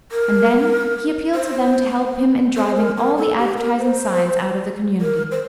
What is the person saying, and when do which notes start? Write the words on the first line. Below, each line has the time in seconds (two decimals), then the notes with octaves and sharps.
And then he appealed to them to help him in driving all the advertising signs out of the community.
0.12 A#4
1.34 C5
2.57 C5
2.76 A#4
2.97 A#4
3.17 A4
3.38 G4
3.58 A#4
3.79 C5
5.01 A#4
5.31 C5